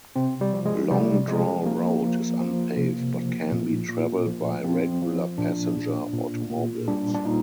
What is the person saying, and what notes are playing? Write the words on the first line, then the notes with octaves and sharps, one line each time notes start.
Long Draw Road is unpaved, but can be traveled by regular passenger automobiles.
C3 C4
G3
F3
G#3
C3 G3
F3 G#3
F3 A#3
F3
F3
C3
F3
A#2
A#2
F3
F3 C4
F3
A#2 D4
A#2
A#2
A#2
G3 D4
D4
A#2 D#4